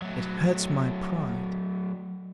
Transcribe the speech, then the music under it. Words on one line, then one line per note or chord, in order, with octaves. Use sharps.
It hurts my pride.
F#3 A3